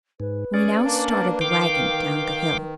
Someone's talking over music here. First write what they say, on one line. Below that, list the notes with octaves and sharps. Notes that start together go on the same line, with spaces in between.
We now started the wagon down the hill.
G#2 B4
C#4 G#4 D5
A#3 D4
D#3 F5 G5 D6